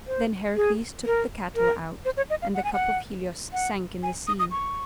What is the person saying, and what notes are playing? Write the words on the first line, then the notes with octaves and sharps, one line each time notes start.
Then Heracles took the cattle out, and the cup of Helios sank in the sea.
C5
G#4
A#4
A#4
C5
C#5
D#5
F5
F#5
G#5
F#5
F#5
G#5
D#6
D#6
C#6